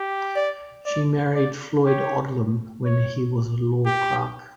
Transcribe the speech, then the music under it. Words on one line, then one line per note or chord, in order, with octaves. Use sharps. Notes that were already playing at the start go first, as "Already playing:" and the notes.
She married Floyd Odlum when he was a law clerk.
Already playing: G4
D5
D5
D5
G4 C#5
C#5
G4